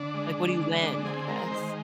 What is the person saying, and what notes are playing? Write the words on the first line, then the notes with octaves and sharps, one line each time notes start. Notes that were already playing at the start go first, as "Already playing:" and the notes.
Like, what do you win, I guess?
Already playing: D3 D4
G#3
D3
G#3
D3 D4
C4 G#4
G#3 A#4
D#3 C5